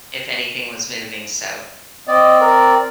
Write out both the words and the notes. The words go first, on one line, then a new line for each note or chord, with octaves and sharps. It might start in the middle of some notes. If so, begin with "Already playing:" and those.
if anything was moving, so,
C4 D5 D#5
A#4